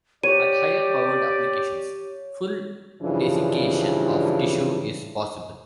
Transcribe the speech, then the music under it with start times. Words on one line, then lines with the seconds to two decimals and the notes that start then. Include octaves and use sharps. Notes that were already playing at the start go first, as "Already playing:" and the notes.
At higher powered applications, full desiccation of tissue is possible.
0.23 G4 C#5 D5 D#7
3.01 G2 C#3 E3 F3 D4